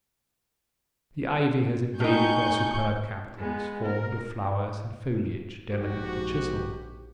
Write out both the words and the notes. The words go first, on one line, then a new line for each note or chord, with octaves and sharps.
The ivy has invaded their superb capitals, formed of flowers and foliage delicately chiselled.
A2 D#4 G#4 C#6 G6
G#3 B3
A#4
A#1 G#2 F#4 G4